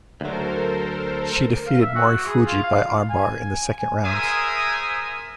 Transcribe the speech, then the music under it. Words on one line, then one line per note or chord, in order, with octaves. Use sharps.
She defeated Morifuji by armbar in the second round.
D2 F#3 A4 A#4 C5
F5
E5
F#4
G#4
F4
F5
G#5
G#4 A#4 C5 E5 G#5 D#6